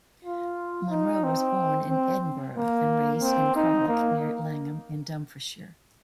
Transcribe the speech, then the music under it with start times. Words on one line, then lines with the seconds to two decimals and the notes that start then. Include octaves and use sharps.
Monro was born in Edinburgh and raised at Craigcleuch near Langholm in Dumfriesshire.
0.24 F4
0.91 D#4
1.24 C4
1.90 C4
2.56 A#3
3.22 C4
3.56 D#4
3.88 A#3